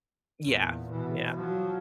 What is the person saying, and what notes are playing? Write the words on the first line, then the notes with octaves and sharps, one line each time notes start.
Yeah, yeah.
E2 A#2
B2 E3
F3 F#3